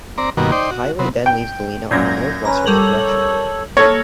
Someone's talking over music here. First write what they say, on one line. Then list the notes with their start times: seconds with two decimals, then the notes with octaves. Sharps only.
The highway then leaves Galena on a northwesterly direction.
0.18 C4 D5 A#5
0.37 G2 B2 D#3 A#3 F#4
0.52 D#4 C5 D5 G5
0.71 F#4
0.99 C3 F#3 B3
1.26 G5
1.91 F#2 A#2 G6 G#6 A#6
2.45 C#4 B4 A#5
2.66 G3 A4 A#4 C#5 F#7
3.77 A#3 A4 C#5